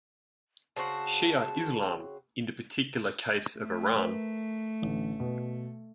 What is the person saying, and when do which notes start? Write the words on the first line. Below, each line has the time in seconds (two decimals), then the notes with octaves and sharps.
Shia Islam in the particular case of Iran.
0.76 C#3 C4 F#4 A5
3.57 A3
3.97 A#4 B4
4.82 A1 D3
5.20 B2